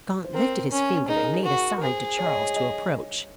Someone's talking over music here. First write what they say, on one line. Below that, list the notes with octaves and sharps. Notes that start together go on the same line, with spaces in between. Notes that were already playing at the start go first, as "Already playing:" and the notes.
Gaunt lifted his finger, and made a sign to Charles to approach.
C5
C4 A#4
C#4
D#4 G#4
A#4
G#4
F#4
A#4
G#4 C5
C#5
D#5
C#5
D#5